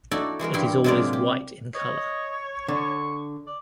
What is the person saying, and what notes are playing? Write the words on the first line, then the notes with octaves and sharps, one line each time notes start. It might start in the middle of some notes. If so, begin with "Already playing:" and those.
It is always white in colour.
D#4 E4 F#4 A4 D5
E3 G#3 F#4 A#4
G2 G3 E4 G5 C6
C3 F#3 G#3 F4 A#4 D5
G4
C#5 D#5
D3 C#6
D5